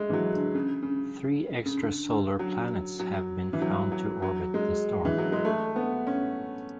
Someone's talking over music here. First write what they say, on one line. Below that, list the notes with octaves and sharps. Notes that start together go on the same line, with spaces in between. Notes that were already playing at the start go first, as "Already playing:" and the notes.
Three extrasolar planets have been found to orbit the star.
Already playing: G#3 A3
E3
F#3
D3
C#3
C#3
C#3
D3
D3
F#3
F#3
E3
F#3
F#3
F#3
G#3
E3
F#3
G#3
A3
B3
C#4